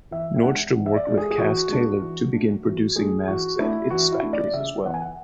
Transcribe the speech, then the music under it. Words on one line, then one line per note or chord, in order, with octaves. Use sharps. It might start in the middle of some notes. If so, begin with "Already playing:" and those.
Nordstrom worked with Kaas Tailored to begin producing masks at its factories as well.
E3 E5
E5
G#3 D4 F#5
E3
E5
D5
G#3 D4
G#4
G#4
E3 F#4
G#3 D4
E3
A3 D4
E3 F#4
A3 D4 G#4
E3 F#4
A3 D4 E4
E3 F#4
E4
A3 D4
D5
C#3 E5
E3 B3 F#5
G#5
F#5